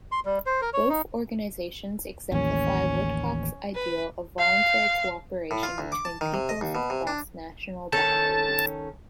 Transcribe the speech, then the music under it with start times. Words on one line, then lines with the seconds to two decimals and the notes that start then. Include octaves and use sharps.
Both organizations exemplify Woodcock's ideal of voluntary cooperation between peoples across national boundaries.
0.12 C6
0.25 G3
0.46 C5
0.62 A#4
0.73 C#5
0.89 D#4
2.32 A1 D#2 C#4
3.75 B4
4.38 F5
5.51 A2
5.63 F4
5.78 D2
5.92 D6
6.05 A5
6.21 D#3
6.34 C3
6.49 D#5
6.61 D#2
6.75 B2
6.90 C3
7.07 D4
7.92 D#3 C#4 A4 A5